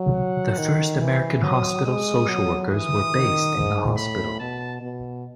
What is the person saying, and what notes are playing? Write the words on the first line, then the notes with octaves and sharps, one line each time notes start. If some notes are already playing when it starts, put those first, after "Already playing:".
The first American hospital social workers were based in the hospital.
Already playing: F#3
F#5
D#3
E3
F#3 D#6
G#3 D#6
F#3
E3 D#6
D#3
G#2
A2 B5
B2 A5
B2